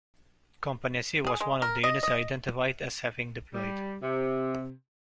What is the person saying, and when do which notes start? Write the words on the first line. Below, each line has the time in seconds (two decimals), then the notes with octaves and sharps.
Company C was one of the units identified as having deployed.
1.27 G#4
1.41 G#3
1.62 A#4
1.84 D#5
2.03 D#5
3.54 G3
4.02 C3